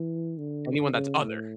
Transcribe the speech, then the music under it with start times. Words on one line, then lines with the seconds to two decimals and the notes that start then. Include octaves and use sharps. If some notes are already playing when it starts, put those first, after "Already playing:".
Anyone that's other
Already playing: E3
0.37 D3
0.93 C#3
1.22 A2